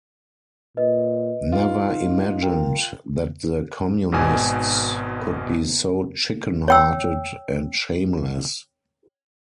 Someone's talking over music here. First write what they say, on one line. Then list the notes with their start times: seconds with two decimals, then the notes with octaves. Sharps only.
Never imagined that the Communists could be so chicken-hearted and shameless.
0.77 A#2 B4 D#5
1.52 D#4 F4
2.43 A#4 G5
4.12 G#1 G#2 B2 G#5
6.68 C#5 G5 E6